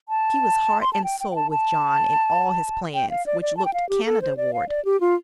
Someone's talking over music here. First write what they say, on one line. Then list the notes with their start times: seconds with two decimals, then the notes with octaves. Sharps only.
She was heart and soul with John in all his plans which looked Canada-ward.
0.09 A5
0.81 C6
0.93 A5
1.04 G5
1.20 G5
1.31 G5
1.36 A5
1.51 A5
2.94 G5
3.10 F5
3.26 D5
3.41 D5
3.57 A5
3.65 G5
3.74 F5
3.89 G4
4.05 A4
4.22 C5
4.37 D5
4.53 F5
4.69 D5
4.85 G4
5.01 F4